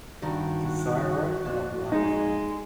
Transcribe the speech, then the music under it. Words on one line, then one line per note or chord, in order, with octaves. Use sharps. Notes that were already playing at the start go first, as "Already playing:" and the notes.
"Desirer of Life".
G2 D#3 F#4
F2 A#2
G#3 D#4